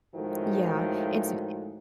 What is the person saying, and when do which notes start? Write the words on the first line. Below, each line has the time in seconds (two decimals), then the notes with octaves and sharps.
Yeah. It's i
0.14 A2 D#3 F3 G#3 A3 F#4